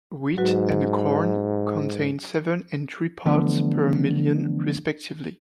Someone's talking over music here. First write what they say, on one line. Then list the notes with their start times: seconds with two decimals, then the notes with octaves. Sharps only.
Wheat and corn contain seven and three parts per million respectively.
0.38 G#2 F#3 F#4 B4
3.26 D3 E3 F3 A3 B3 D4